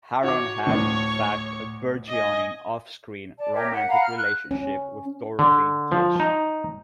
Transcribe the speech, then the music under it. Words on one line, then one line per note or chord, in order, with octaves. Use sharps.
Harron had, in fact, a burgeoning off-screen romantic relationship with Dorothy Gish.
F#4 C#5 D6
D2 A2 C#5 C#6
D#5 G#5
D5 A5
G4 A#4 C#5 E5
F#5
F5 F#5 A#5 B5
F6
F#6
C#4
D3
F3
D#4